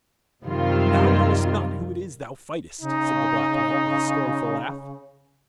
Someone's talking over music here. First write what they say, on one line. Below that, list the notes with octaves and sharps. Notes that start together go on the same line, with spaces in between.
'Thou knowest not who it is thou fightest,' said the Black Knight, with a scornful laugh.
F#2 C3 D#3 G3 C4 F4
C#3 D#4